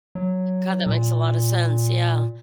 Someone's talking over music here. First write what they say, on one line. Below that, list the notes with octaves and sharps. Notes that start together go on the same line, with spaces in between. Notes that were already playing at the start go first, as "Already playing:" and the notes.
God, that makes a lottta sense, yeah.
F#3
A#2